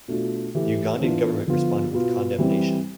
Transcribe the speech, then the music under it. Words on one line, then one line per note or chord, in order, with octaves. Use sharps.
The Ugandan government responded with condemnation.
B2 A3 D4 F4
E3 A3 E4 G4
E3 B3 D4 F4
D3 F3 B3 F4
B2 B3 F4
E3 G3 C4